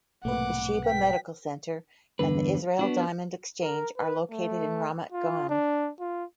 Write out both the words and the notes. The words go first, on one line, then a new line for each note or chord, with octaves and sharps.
The Sheba Medical Center and the Israel Diamond Exchange are located in Ramat Gan.
B1 G#2 C3 A3 A#3 B4 F#5 D6
G5 B6
E2 G2 D3 B4
B3 D4 F#4
A#4
B4
A3
F4
D4
F4